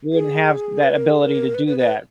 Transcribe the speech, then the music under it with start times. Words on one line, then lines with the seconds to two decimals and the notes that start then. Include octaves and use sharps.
You wouldn't have that ability to do that.
0.13 G#4
0.83 B4
0.96 A#4
1.09 G#4
1.22 A#4
1.55 B4
1.67 B4
1.79 B4